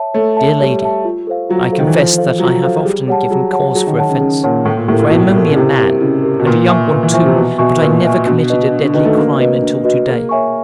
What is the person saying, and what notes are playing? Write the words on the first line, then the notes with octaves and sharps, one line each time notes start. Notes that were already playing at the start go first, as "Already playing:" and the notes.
Dear lady, I confess that I have often given cause for offense, for I am only a man, and a young one, too, but I never committed a deadly crime until today!
Already playing: C#5 E5 A5
A3 C#5
E5 A5
G3 C#5
E5 A5
F4
A4 C5 F5
F#3 F4
A4 C5 F5
D#3
E3
F3 F4
A4 C5 F5
F#3 F4
A4 C5 F5
G3 G#4
G3 C#5 F#5 A5
F#3 G#4
C#5 F#5 A5
F#3 G#4
D#3
D#3 C#5 F#5 A5
C#3
C#3 G#4
A#2 C#5 F#5 A5
A2 E4
A#2
A2 G4 A#4
A#2
B2 E4
G4 A#4
C#3
C3 E4
G4 A#4
C#3 E4
G4 A#4
B2
A#2 B4
E5 G#5 C#6
A#2 B4
E3
F3 E5 G#5 C#6
C3
B2 B4
B2 E5 G#5 C#6
A#2 B4
E5 G#5 C#6
B2 D4
F#4 B4 D#5
D4
D3
D#3 F#4 B4 D#5
A3
A#3 D4
F#4 B4 D#5
D4
F#4 B4 D#5
A#3 G#4
C#5 E5 G#5 C#6